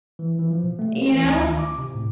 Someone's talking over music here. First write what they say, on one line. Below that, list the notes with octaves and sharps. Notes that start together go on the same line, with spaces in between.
You know?
E3
E3
F3
B2
A3
A#3
E3
D2
D#3
D6
C3
A2